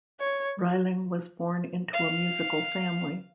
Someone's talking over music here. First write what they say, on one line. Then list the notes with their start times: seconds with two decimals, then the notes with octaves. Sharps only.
Rilling was born into a musical family.
0.20 C#5
1.93 F5